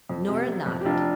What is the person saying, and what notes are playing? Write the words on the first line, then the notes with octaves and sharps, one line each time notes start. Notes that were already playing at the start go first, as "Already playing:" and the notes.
Nora nodded.
F2
C3
F1
F2
G4
F1 D4 F4